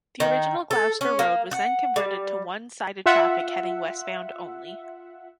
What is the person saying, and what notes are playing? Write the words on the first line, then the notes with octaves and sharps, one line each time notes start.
The original Gloucester Road was then converted to one sided traffic heading westbound only.
D#3
A4
C#4
A#3
F#5
G3
F4 E5 F#5